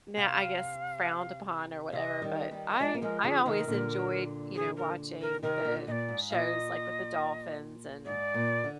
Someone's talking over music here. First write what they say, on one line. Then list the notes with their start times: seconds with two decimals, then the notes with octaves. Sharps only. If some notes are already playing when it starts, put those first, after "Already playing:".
now, I guess frowned upon or whatever, but I I always enjoyed, you know, watching the shows, like, with the dolphins and
0.17 C3 F5 G5
1.92 C3 D#5 F5
2.22 D#3 G3
2.51 D#3 G3
2.80 F3 G#3 D5
2.94 A#3
3.02 F3 G#3 A#4
3.23 D3 F3 G#4
3.45 C3 D#3 A#4
3.67 A#2 D3
4.55 G#4
4.77 A#4
5.21 A#4
5.43 C3 D#3 A#4
5.65 A#2 D3
5.87 A#2 D5 D#5
6.09 G#2
6.30 A#2 D#5 F5
8.05 G#2 D5
8.34 A#2
8.64 D3